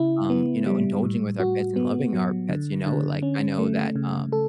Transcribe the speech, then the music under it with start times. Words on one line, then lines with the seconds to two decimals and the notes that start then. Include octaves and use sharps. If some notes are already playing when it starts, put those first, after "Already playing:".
um, you know, indulging with our pets and loving our pets, you know, like, I know that, um,
Already playing: C#3 E4
0.30 B3
0.66 G3
1.03 A2
1.40 F#4
1.76 B3
2.13 F#3
2.49 D3
2.86 D3
3.23 C#4
3.59 A3
3.96 C#3
4.32 A4